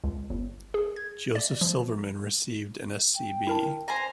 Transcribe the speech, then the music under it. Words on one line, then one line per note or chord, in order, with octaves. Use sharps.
Joseph Silverman received an Sc.B.
C#2
G1
G#4
G#6
D5
F3
G5
E4 A#4 A5
C5 G#5 A#5